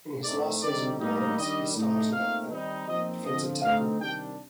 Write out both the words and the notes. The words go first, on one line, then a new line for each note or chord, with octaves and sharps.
In his last season with the Lions, he started at defensive tackle.
A2 A3 C4 D#4 D5
D3 G3 C4 D#4 D5
A2 G3 A#3 D#4
D#3 G3 D4 D#5
A2 A3 D#4
A#2 A3 C4 D#4 F5
D#3 G3 C4 D#4
A#2 F3 C4 D#4 D#5
D3 F3 C4 D#5
D3 A3 C4 D#4 F5
C3 D#3 G3 D4 G5